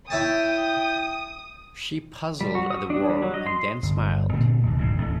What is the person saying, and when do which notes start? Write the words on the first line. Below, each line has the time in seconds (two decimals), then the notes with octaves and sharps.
She puzzled at the word, and then smiled.
0.10 E4 C#5 G5 A5 D#6
2.41 G3
2.55 F#4
2.71 D#6
2.90 D4
3.09 G3
3.22 F#3
3.34 D#5
3.46 C6
3.83 G1
4.33 A#2 D3 A3 C4
4.63 F1 D#2
4.77 D1 A#1 G2 C3
4.96 D#1 A1 A3